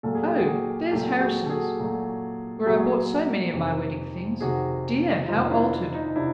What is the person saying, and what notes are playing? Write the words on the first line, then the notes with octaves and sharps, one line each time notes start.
'Oh, there's Harrison's, where I bought so many of my wedding-things. Dear! how altered!
A#2 F#3 A3 A4
G#4
G4
F#4 G#4
A#2 F#3 A3 G4 A4
F#4 G#4
A4
F#4 G#4
A#2 F#3 A3
A#2 F#3 A3 F#4 G#4
F2 C3 D#3
F2 C3 D#3 F#4 G#4
F2 C3 D#3 D#4 F4
D4 E4
D#4
C3 D4 E4